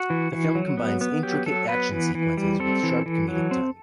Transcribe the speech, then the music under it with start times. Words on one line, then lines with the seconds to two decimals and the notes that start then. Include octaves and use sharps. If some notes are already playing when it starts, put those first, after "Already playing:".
The film combines intricate action sequences with sharp comedic timing.
Already playing: F#4
0.10 E3
0.32 E3
0.55 F#3
0.77 B3
1.01 B3
1.23 F#3 G4
1.46 F#3 A4
1.69 B3 B4
1.92 E3
2.15 E3
2.37 G3
2.60 C4 A4
2.83 E3
3.06 E3
3.28 F#3
3.51 C4